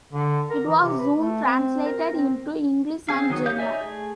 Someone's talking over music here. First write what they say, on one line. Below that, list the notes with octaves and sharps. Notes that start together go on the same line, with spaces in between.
It was soon translated into English and German.
D3
A#4
E3
C3
B4
A3
C4
A#4
C4
C4 G#4 F5
D#3 F#3 D#6
G4 C#5 F5 G6
D#4 C#5 D5 E5 G#5
A3 G#4